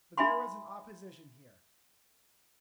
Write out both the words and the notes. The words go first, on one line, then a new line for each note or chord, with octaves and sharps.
But there was an opposition here.
D#4 E5 G#5 B5 C6